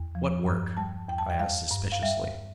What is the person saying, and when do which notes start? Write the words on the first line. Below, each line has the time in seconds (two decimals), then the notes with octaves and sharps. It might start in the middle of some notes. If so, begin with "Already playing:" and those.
"What work?" I asked suspiciously.
Already playing: E2
0.15 F3
0.46 G2
0.77 G3 A5
1.09 E2 G5
1.18 A5
1.30 G5
1.39 G3 F5
1.71 G2
1.92 F5
2.02 G3 E5